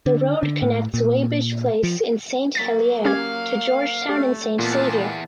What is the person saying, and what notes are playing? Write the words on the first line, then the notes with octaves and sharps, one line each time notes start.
The road connects Weighbridge Place in St Helier to Georgetown in St Saviour.
D3
D3
A2
A#2
F3
F#3 A#3 A6 B6
C#4 G4 F5 G#6
A3 G4
E2 A#2 B3 A5